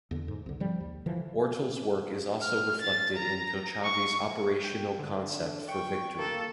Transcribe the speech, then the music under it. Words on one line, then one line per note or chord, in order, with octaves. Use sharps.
Ortal’s work is also reflected in Kochavi’s Operational Concept for Victory.
E2 D3
G#2
C2 D3
F3 G3
D#2
D3 E3 F3
F6
A6
A#5
C#6
G5
D3
G5 C#6
A#3 A4